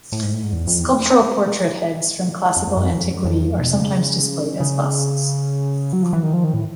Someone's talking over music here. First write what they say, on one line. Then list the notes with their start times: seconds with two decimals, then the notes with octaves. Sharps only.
Sculptural portrait heads from classical antiquity are sometimes displayed as busts.
0.12 A2
0.22 G#2
0.33 A2
0.43 G#2
0.53 E2
0.67 F2
0.80 E2
2.57 F2
2.67 F2
2.77 F#2
2.87 F2
2.97 F2
3.11 F#2
3.24 F2
3.38 E2
3.48 F2
3.59 B2
3.69 C3
3.79 C#3
4.60 C#3
5.93 F#3
6.03 F3
6.13 E3
6.23 D#3
6.33 F3
6.44 D#3
6.54 A2